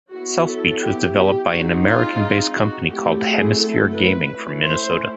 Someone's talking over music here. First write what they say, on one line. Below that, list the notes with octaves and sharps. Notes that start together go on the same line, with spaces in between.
South Beach was developed by an American based company called Hemisphere Gaming from Minnesota.
F#3 B3 E4 F#4
A4
G4
G4
G#3 C4 D#4 F#4
F4
F#4
F#3 A3 C4 E4 G4
G#4
A4
B4
A3 C#4 E4
C5